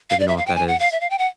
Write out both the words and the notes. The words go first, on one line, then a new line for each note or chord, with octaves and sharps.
if you know what that is.
F5
D5
E5
F5
G5
G#5
F#5
F5
E5
F5
G5
F#5